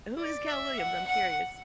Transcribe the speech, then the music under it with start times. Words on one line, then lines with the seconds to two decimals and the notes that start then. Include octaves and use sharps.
who is Cal Williams, I'm curious?
0.18 D5
0.48 E5
0.78 F#5
1.08 F#5